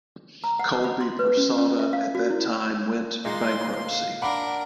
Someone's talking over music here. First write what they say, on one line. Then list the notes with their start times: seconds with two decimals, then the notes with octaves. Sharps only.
Colby Persada at that time went bankruptcy.
0.44 A#5
0.59 F#5
0.84 B5
1.01 C6
1.19 B4
1.37 C#4
1.58 C#4
1.79 E5
1.93 F5
2.15 F#4
2.30 E4
3.25 A#2 G#3 D#4 F5 C6
4.22 D4 A#4 F#5 B5 D6